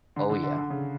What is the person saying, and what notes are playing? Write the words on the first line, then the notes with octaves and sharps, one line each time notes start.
Oh, yeah.
D3
D3
D3
D3
C#3